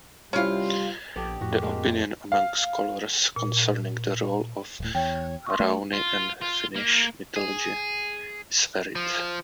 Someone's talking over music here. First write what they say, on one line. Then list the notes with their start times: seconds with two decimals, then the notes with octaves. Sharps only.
The opinion among scholars concerning the role of Rauni in Finnish mythology is varied.
0.33 C3 F3 G3 C#4 E4 F4 F5
1.16 A#1 B3 G4 A4 D5
1.41 F2 A2 F#4
1.62 G#3 A#3 D4
2.32 F5
3.36 A#2
4.80 D1 A2
4.95 E2 C#5 G5
5.46 C6 C#6 D#6
5.60 A3 F#4
5.93 F4
6.41 F4
6.75 A#3
7.36 G#4
8.96 F3